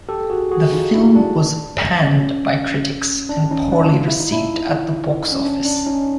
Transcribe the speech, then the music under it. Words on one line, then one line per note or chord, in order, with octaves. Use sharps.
The film was panned by critics, and poorly received at the box office.
G4 A4
F#4 G#4
F#4 G#4
D#4 F4
D4 E4
D4
C#4
D4
C#4 D#4
D4 E4
F4
E4
D#4
D4 E4
C#4
D4
D4
C#4 D#4